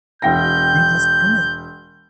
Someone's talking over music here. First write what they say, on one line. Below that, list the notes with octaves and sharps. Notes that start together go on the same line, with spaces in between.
be just kin
E1 G5 G6 A#6